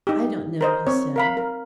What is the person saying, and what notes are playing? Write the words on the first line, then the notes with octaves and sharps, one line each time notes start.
"I don't know," he said.
D#4 G4
A#4 C5 D#5
C4 C#5
A#4 F5 B5
A#4